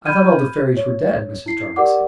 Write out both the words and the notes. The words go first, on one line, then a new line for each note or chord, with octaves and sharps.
"I thought all the fairies were dead," Mrs. Darling said.
B5 F6 G6 G#6 D#7
C#5
E4 C7
G4 A#4 D5 F#5 D6